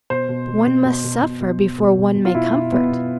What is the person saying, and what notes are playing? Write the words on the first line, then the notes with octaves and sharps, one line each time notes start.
One must suffer before one may comfort.
B2 C5
B2
B2
B2
B2
B2
B2
B2
B2
B2
B2
B2
F4
B2 E4
B2
B2 B3
B2